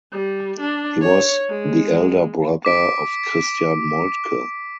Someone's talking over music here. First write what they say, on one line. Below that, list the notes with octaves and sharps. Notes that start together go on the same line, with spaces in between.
He was the elder brother of Christian Moltke.
G3
D4
C#5
G#3
D6 B6 D7